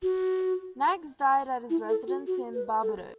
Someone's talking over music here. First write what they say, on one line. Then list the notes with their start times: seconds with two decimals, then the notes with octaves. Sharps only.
Knaggs died at his residence in Barbados.
0.03 F#4
1.70 E4
1.89 A4
2.07 F#4
2.27 F#4
2.54 B4
2.82 A4